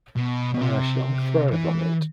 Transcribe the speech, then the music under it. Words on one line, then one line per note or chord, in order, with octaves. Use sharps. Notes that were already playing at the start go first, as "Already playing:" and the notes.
I shall thrive on it.
B2
B2
C3
E3